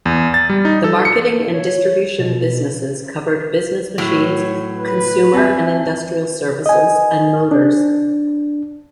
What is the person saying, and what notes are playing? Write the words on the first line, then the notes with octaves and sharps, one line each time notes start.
The marketing and distribution businesses covered business machines, consumer and industrial services, and motors.
E2
A6
G3
D#4
A4
C#7
C#5
B2
A2 F#3 C#5
B4
C4 E5 G#5 A5
D#5 G#5
D4